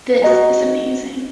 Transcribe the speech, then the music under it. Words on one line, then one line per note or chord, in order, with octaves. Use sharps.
This is amazing.
F#4 D#5 A#5